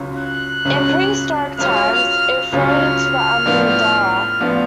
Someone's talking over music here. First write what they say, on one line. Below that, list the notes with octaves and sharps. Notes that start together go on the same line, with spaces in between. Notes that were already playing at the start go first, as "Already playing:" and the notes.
In prehistoric times it flowed into the Amu Darya.
Already playing: C#2 C#3 F#3 C#4 F4
F#6
C#2 C#3 F#3 C#4 F4
C#2 C#3 F#3 C#4 F4 F6
C#2 C#3 F#3 C#4 F4 F6
A2 F3 B3 D4
A2 F3 B3 D4